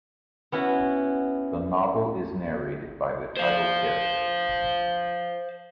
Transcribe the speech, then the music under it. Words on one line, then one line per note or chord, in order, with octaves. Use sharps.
The novel is narrated by the title character.
B3 C#4 E4 F#4
C5 F5